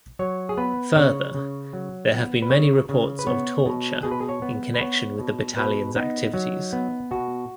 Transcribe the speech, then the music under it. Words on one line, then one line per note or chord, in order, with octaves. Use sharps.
Further, there have been many reports of torture in connection with the battalion's activities.
F#3 C#5
G#4
B3 B4
C#3 C#5
C#3
F#3
B3
B4
C#3 C#5
C#3
B4
B3 C#5
B2
B2 G#4
B4
G#4
C#5
B3
B4
B3 C#5
B2
B2 B4
B3 D#4
F#3
B3
B2 F#4